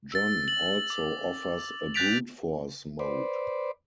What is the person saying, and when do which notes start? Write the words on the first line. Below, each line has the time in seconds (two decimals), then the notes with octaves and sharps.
John also offers a brute force mode.
0.12 E6 A6
0.48 F#7
0.90 D6
1.94 F#6 G6 A6 B6 D7 F7
2.99 B4 C5 D5